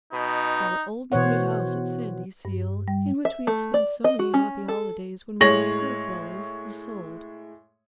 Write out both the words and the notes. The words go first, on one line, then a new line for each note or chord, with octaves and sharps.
Our old moated house at Sandyseal, in which we have spent so many happy holidays when we were schoolfellows, is sold.
B2 D#4
B2 E3 C5 C#5 F#5
G2
G3
E5
A3
D5
D#5
F#4
C#4
A4
A2 G#3 C#5 A#6 F#7